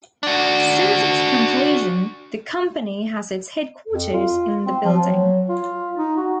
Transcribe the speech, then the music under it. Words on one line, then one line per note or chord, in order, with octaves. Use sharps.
Since its completion, the company has its headquarters in the building.
D4 F#4
F2
F4
C4
F3
F#3
F4
D#4
F#4